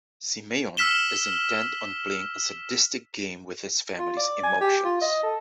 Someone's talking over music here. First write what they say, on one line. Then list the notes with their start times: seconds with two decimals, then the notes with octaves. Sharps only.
Simeon is intent on playing a sadistic game with his family's emotions.
0.77 E6 F6 B6 E7 G7
3.99 F4
4.16 D5
4.43 G#5
4.61 G4
4.84 F4
5.01 D#5
5.23 A4